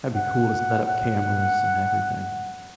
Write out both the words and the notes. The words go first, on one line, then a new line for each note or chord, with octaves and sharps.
That'd be cool to set up cameras and everything.
F#5
F#5